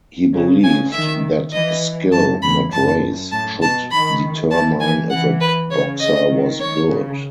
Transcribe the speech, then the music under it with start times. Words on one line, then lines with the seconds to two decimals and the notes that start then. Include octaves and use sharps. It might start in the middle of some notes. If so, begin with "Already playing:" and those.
He believed that skill, not race, should determine if a boxer was good.
0.34 C#3
0.63 C#3 G#5
0.92 D#3 E5
1.52 E3 D#5
2.12 F#2 A5
2.42 E2 B5
2.71 F#2 A5
3.31 A2 A5
3.61 B2 A5
3.91 D#3 B5
4.51 E3 A5
4.80 E3 G#5
5.10 E3 F#5
5.40 B4
5.70 C#3 C#5
6.00 D#5
6.30 D#3
6.60 C#5
6.89 C#3